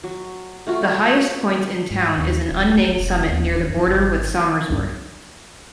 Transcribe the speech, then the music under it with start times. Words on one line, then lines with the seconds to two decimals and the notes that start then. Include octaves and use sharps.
The highest point in town is an unnamed summit near the border with Somersworth.
0.04 F#3
0.67 A3 F4 F#4
1.91 G#2
2.18 D#2
2.51 D1
2.76 A#1
2.98 F1
3.27 D#2
3.43 D1
3.70 F#2
3.87 G#1
4.70 C2 G2